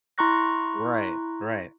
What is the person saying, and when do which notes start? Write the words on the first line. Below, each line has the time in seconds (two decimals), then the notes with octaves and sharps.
Right, right,
0.18 E4 A#5 C6 C#6 F#6 A#6